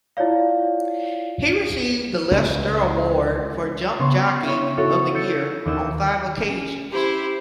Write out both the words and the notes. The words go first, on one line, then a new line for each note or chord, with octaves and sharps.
He received the Lester Award for Jump Jockey of the Year on five occasions.
E4 F4 C#5 D5 F5
C#2
C#3 B3 C#5 C6
E4 C#5
D#4 E4 F#4 A4 C#5
E6 G6 A6 C7 C#7
D#2 A#4 D#5 E6 G6
C#4
E4 G4 C5